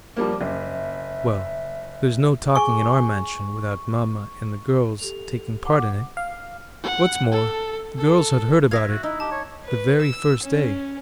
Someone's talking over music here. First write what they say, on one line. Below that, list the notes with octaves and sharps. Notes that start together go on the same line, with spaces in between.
Well, there's no talking in our mansion without mamma and the girls taking part in it. What's more, the girls had heard about it the very first day.
F3 G3 A#3 D6
F#1 E5
G#4 G#5 C#6
G4 A4 F7
F#5 D6
F5
F#5
A4
A4
E5 F5 G#6 A#6
F#4
D#4 E4
G4 A5
C#5
B4
E6
C#4